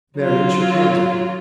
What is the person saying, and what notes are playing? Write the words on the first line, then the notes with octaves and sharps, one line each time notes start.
Marian shook hands with him.
F#3 F4